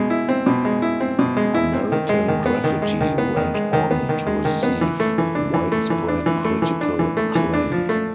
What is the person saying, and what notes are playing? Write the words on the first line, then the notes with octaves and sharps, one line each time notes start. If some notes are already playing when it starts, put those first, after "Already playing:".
"American Graffiti" went on to receive widespread critical acclaim.
Already playing: B2 G#3
E4
C4
B2
G#3
E4
C4
B2
G#3
E4
C4
D#3
G#3
D#3
B3
D#3
G#3
D#3
B3
D#3
G#3
D#3
B3
D#3
G#3
D#3
B3
E3
A3
E3
D4
E3
A3
E3
D4
E3
A3
E3
D4
E3
A3
E3
D4
F3
A3